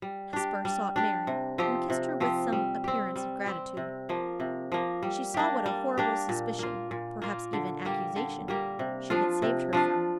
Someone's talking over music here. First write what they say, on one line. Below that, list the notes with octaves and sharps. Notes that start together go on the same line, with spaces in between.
Hesper sought Mary, and kissed her with some appearance of gratitude. She saw what a horrible suspicion, perhaps even accusation, she had saved her from.
G3
D4 G4
G3
D4 G4
C3
F3 C4 G4
C3
F3 C4 G4
G3
C4 G4
G3
C4 G4
C3
F3 A#3
C3
F3 A#3
G3
A#3 D4 G4
G3
A#3 D4 G4
A#2
A#3 F4
A#2
A#3 F4
D3
G3 A#3 G4
D3
G3 A#3 G4
C3
F3 D4 F4
C3
F3 D4 F4